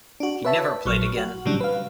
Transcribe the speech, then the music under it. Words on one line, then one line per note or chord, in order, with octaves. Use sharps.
He never played again.
D4 F#4
B4 C#5 E5 A5 B5
A#1 F#3 C#6 F6
F#4
A2 C#3 E3 F#3 G3 D4
B4 F5